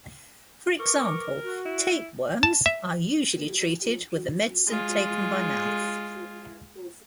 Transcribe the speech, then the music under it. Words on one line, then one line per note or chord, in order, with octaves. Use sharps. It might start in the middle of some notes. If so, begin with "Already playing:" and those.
For example, tapeworms are usually treated with a medicine taken by mouth.
A#4 B4 C#6 D6
F#4
E4
A5
E5
G#3 F4